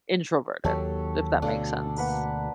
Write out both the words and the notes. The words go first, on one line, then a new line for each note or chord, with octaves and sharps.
introverted, if that makes sense.
D#2 F#3 G4 A4 C#5
D2 B2 D3 D4 A4 F5
A#3 B4 F#5